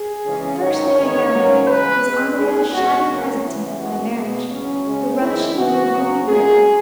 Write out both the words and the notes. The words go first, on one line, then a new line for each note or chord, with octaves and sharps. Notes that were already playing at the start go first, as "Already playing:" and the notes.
The first thing I found in it was Armadale's shabby present to me on my marriage--the rubbishing little ruby ring.
Already playing: G#4
C#3 E3 G#3 C#4
G#2 D#3 F#3 C#4 C#5
E2 D#3 G#3 B3 C#5
G#2 F#3 A#3 C#4
C#3 E3 G#3 B4
E2 B2 G#3
D#2 D#3 G#3 G#4
B2 G#3 B3 F#4
C#3 F#3 A#3 C#4
C#3 E3 B3 E4
F#2 E3 G#3 B3 F#4
B2 G#3 B3
E2 C#3 F#3 C#4
C#3 G#3 C#4
F#2 E3 G#3 E4
C#3 E3 B3 F#4
C#3 F#3 B3
A#2 F#3 C#4 G#4